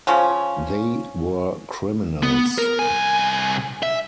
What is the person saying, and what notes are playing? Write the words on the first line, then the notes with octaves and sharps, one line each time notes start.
They were criminals.
C#3 F3 C#4
B3
A#4
C2 G#5
E5